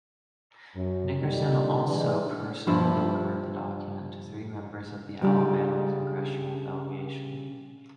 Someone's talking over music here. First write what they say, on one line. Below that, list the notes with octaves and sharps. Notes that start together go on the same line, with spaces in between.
Nickerson also personally delivered the document to three members of the Alabama congressional delegation.
F#2
A#2 D3 G3 D#4
E3 G3 G#3 D4
G2 F3 E4
C#3 G3 A3 D4 F4